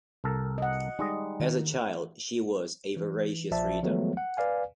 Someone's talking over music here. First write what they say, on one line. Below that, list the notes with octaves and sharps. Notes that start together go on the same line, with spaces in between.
As a child, she was a voracious reader.
C2 A4 A#4
D#5 F#5
G3 G#3 D#4 D#5
D#3
E3
A#1 F3 D5 E5 A5
D#3 F3 F#3 G#3 A3 B3
F#5
B4 D5 F5 G#5